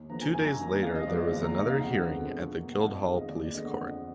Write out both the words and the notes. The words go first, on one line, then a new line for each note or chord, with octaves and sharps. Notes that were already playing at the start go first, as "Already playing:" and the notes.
Two days later there was another hearing at the Guildhall police court.
Already playing: D#2
D3 F3 B3 A#5
G#5
F#2 G#5
A#5
G#5
D#3 A#3 A#5
F2 F5
D#5
F3 G#3 B3 D5
D#5
D#2 F5
A#5
D#3 G#3 D#5
F5
F2 F#5
D3 F3 G#3 B3
B2
A#3
F#5
F2 F5
D#5
D#3 G#3 B3 F5
D#5
D#2 D5
D5
D3 G#3 B3 D#5
F#5
F2